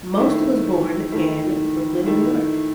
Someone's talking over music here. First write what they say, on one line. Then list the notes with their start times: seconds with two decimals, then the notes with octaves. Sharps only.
Most was born in Brooklyn, New York.
0.18 D#3 A3 E4
1.12 D#3 A3 E4
2.06 D#3 A3 E4